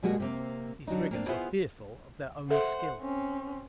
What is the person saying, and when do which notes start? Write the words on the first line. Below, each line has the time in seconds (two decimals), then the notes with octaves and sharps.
These brigands were fearful of their own skill.
0.02 B2 G3 G#3 A#3 F#4 G#4
0.20 C3 A#3 C4
0.87 D3 F#3 D4 D#4
1.11 A#3 C4 D4
1.28 B3 E4 F4 G#4 B4 C5
2.51 A4 C5 E5 F#5
3.01 C4 C#4